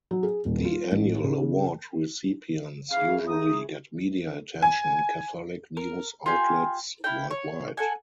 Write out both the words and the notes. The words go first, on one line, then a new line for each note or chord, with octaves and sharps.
The annual award recipients usually get media attention in Catholic news outlets worldwide.
F#3
G#4
D#1
F4
A1
C#3
C#3 E3 F5
D#4 D#6
G#5
A#4
F4 G4 G#5
E4 F5 G5
C#5
A4 F#5 G#5